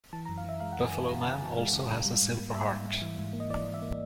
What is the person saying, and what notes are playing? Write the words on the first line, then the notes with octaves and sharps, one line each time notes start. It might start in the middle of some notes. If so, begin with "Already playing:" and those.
"Buffalo Man" also has a silver heart.
E3 A5
F#2 A#5
F5
E3 E5
G#3 F5
F#5
F#2
G#5
E3 A5
F#2 A#5
A5
C#3
G#5
E3 A5
G#3 F5
C#3
G#3
G3
G#2
A#3
G3 E5
G#2
G#2
E3
G#2
A#3
D#5
E3 D5
E3
E5
A#3